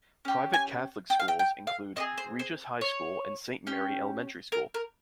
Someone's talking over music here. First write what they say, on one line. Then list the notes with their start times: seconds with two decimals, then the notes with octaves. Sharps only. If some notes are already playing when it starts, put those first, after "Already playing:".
Private Catholic schools include Regis High School and Saint Mary Elementary School.
0.25 C#4 G4
0.53 G#5
1.10 G5
1.20 F5
1.28 G5
1.39 G5
1.67 F5
1.96 C4 D#4 G#4 D#5
2.18 C5
2.39 C5
2.81 C#5
3.67 C#4 G4
4.52 A#4
4.74 A#4